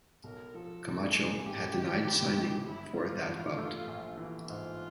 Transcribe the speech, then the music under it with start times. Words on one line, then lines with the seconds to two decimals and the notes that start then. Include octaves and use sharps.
Camacho had denied signing for that bout.
0.24 B1 A#4
0.54 F3 A4
0.85 A2 A4
1.15 A3 G#4
1.45 A1 G4
1.76 D#3
2.06 G2
2.36 G#3
2.66 G1 E4
2.97 E3 F4
3.27 G2
3.58 A3
3.87 A#1
4.17 E3
4.48 G#2 F4